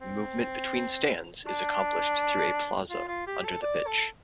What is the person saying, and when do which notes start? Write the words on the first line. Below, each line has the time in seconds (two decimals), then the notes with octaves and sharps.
Movement between stands is accomplished through a plaza under the pitch.
0.01 C4
1.46 D4
2.90 F4
3.08 F4
3.27 G4
3.44 A4
3.62 D5
3.87 A4